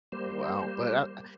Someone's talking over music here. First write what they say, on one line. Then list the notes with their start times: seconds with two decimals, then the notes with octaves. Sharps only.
wow, but, ah
0.12 G3 A#3 C5